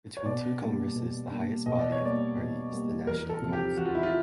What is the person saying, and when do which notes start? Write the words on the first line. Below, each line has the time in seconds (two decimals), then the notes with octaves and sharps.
Between two congresses the highest body of the party is the National Council.
0.17 C#5
0.26 B2 D5
0.61 G3 A#3 D4
0.96 B2
1.31 G3 A#3 D4
1.66 B2 D#5
1.79 D5
1.92 C#5
2.01 G3 A#3 D5
2.36 B2
2.72 G3 A#3
3.07 E2 A#4
3.29 A4
3.42 C3 F3
3.53 G4
3.76 E2 F#4
3.85 F4
3.95 E4
4.03 F4